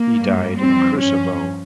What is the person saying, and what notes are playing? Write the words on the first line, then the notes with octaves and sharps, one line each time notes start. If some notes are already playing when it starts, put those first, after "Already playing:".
He died in Krusevo.
Already playing: A#3
G2 G3
F2 E3 G3 C4
G2 F3 C#4